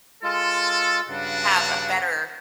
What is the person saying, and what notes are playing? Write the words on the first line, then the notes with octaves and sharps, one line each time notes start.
have a better
G#3 F4 A4
G2 C#3 D4 F#4